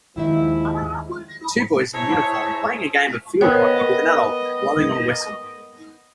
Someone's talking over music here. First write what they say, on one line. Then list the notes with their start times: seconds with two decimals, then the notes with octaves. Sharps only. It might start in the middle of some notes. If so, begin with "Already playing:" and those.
Two boys in uniform playing a game of field hockey with an adult blowing on a whistle.
0.16 D#2 D#3 F3 G#3 E4 E5
1.94 E4 G#4 C5 C#5 E5 A5 A#5
3.41 B3 A#4 C5 C#5 D#5 G5